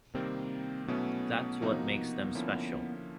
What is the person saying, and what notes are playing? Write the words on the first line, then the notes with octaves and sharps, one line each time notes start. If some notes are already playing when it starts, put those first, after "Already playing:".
That's what makes them special.
C3 D#3 G3 A#3 C4
B2 F#3 A3 B3 C#4 E4
C3 F3 A#3 D#4 F#4
D3 F3 A#3 C#4 E4